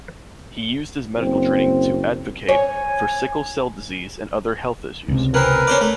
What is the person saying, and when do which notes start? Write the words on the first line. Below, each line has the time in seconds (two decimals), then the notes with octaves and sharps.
He used his medical training to advocate for sickle-cell disease and other health issues.
1.18 F#1 C4
2.49 C#5 G#5
5.08 C#2 C3
5.34 E3 C4 A#4 B4
5.67 C#4 C5 D5
5.81 A3